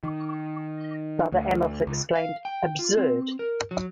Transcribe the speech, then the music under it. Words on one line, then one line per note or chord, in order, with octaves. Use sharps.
Father Amorth exclaimed, Absurd!
D#3
D2
C#2
F5
G5
F4
C4
A#4
F#3